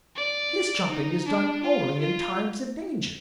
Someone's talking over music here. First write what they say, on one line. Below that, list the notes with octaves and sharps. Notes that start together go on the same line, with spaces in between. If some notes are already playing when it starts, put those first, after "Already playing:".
His jumping is done only in times of danger.
D5
D#4
D4
F4
F4